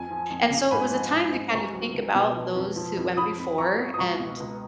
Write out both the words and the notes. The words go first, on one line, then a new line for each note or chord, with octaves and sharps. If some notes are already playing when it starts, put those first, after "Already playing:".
and so, it was a time to kind of think about those who went before and,
Already playing: F2 G#5
F3
F2
C#3
G#2 G#5 B5
F3
G#2
G#2
C#2 A#5 C#6
F#3
C#2
B2
F3
F2
F3
F2
F3 B5 D#6
F2
F2 A#5 C#6
F2
D#6
C#2 A#5 C#6
B2
C#2